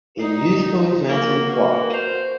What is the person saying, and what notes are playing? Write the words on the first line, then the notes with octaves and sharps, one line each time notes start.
A musical event in the park.
D#4 D5 C7
A#3 F#4 F5
A#3 A#4 B4 F5
A#4 C5 G6 F7